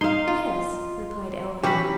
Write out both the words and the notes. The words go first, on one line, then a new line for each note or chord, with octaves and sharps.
"Yes," replied Eleanor.
D#4 F5 C6
F4
E3 F#3 C#4 G4 B5